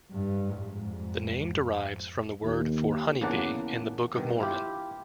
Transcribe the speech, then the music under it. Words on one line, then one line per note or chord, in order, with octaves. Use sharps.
The name derives from the word for "honeybee" in the Book of Mormon.
G2
F2 G#2
D#2
E2 C#3 A#3 D4 D5 F#5
G2 B2 D#3
E4 F4 G4